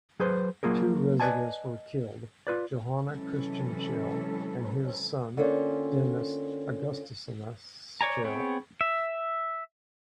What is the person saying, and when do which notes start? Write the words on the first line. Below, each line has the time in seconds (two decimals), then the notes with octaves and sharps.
Two residents were killed, Johann Christian Schell and his son, Denis Augustinius Schell.
0.20 F#3 G#4 B4 C5
0.63 F#3 A#3 F4 G#4 A#4
1.20 B4 D5 D#5 G#5 A5
2.47 F4 B4 D5
3.07 C3 E3 F#3 G#3 C#4 A4
5.37 D3 A#3 C4 C#4 F4
8.01 C#5 D5 G#5 A#5
8.24 B3 C4 G#4 C#5 G5
8.81 E5